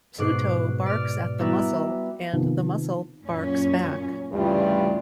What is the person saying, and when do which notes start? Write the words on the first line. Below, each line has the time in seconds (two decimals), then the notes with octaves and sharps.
Pluto barks at the mussel and the mussel barks back.
0.18 G#2 B2 D6 F#6 C7
0.86 D5 F6
1.39 G3 B3 E4 F#4 A#5
2.33 C3 D#3 F3 B3
3.25 F#2 A#2 C#4
4.32 D2 G2 C#3 E3 G3 F4